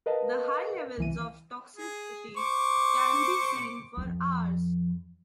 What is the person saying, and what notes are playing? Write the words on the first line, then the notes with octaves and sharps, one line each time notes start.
The high levels of toxicity can be seen for hours.
A#4 B4 D#5 F5 A5
C2 E3 D#7
G#4
C5 C#6 D6
F2